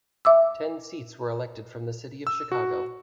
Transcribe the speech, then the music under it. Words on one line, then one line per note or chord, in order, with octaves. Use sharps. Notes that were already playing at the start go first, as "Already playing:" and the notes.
Ten seats were elected from the City of Chicago.
E5 D6 E6
E6
F#4